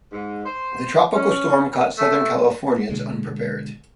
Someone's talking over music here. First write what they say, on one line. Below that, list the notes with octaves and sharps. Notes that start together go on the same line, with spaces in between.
The tropical storm caught Southern Californians unprepared.
G#2
C5
C#4
A3
B2 D3 G#3